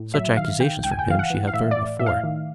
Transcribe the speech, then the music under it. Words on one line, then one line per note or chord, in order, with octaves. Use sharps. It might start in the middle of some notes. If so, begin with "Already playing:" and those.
Such accusations from him she had heard before.
Already playing: A2
F#3 E5
D#3 F5
D#3 G5
C#2 G5
G#5
G5
E3 F5
F#5
E3
F5
A2 E5
D5
A2
A2 E5
F5
D#3